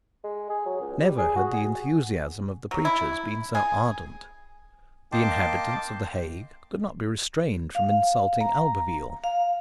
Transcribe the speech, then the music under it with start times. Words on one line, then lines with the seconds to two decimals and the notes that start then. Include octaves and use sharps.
Never had the enthusiasm of the preachers been so ardent. The inhabitants of the Hague could not be restrained from insulting Albeville.
0.24 G#3
0.50 G#4
0.66 F#3
0.81 C#2
1.00 G3
1.18 G#4
1.36 F#4
1.54 G#4
2.71 F#3
2.85 E4
3.55 G#4
5.12 A#3 D#5 G5 A5 C6 D6
7.75 F5
8.41 A#5
9.24 F5